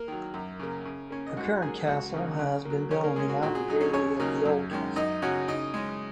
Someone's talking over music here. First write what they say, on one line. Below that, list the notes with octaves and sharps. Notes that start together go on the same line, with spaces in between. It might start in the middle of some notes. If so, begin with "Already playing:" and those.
The current castle has been built on the outer bailey of the old castle.
Already playing: A#3 A#4
D#3 F#3
F#2
C#3 A#3
C#3
A#3 C#4
D#5
G#2 F#4 F#5
F#3 A#3 G#4 G#5
C#2 F#4 F#5
C#3 F#3 A#3 D#4
C#3
F#3 A#3
C#3 C#4 C#5
A#3 A#4
G#3 C#4 G#4
F#4
A#2 F#4
G#4
F#3 D#4
C#4 C#5
D#2 C#4 C#5
C#3 F#3 A#3 D#4
F#2
D#3 G#3 C#4
F#2 D#4 D#5
C#3 F#3 C#4 F#4 F#5
C#3 D#4 D#5
G#3 C#4